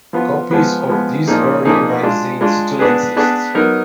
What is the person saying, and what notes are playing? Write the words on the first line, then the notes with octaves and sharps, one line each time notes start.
Copies of these early magazine still exists.
F3 B3 F4
F3 G#3 B3
F3 G#3 B3
A#2 F3 A#3 D#4 G#4
A#2 F3 A#3 D#4 G#4
G#3 D4 F4
G#3 D4 F4
B3 D4 G#4 B4
B3 D4 G#4 B4
F#3 B3 D#4 A#4